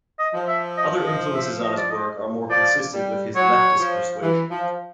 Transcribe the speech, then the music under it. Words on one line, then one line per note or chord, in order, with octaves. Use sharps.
Other influences on his work are more consistent with his leftish persuasion.
D#5
F3
E5
D#5
D#5
E5
D#5
D5
D#5
F3 D5
G3
F#3 C#5
F3
E3
F3